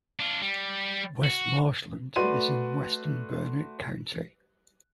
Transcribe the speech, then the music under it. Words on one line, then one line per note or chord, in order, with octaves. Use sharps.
West Marshland is in western Burnett County.
D4 F4
G3
F#4
A3 F#4 B4 D5 C6 D#7